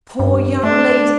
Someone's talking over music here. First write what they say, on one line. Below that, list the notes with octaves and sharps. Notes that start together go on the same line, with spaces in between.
'Poor young lady!
G2
A3 D4